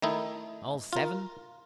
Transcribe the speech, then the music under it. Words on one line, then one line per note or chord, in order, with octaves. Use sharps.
"All seven?"
D#3 A3 D#4 E4
F4 A#4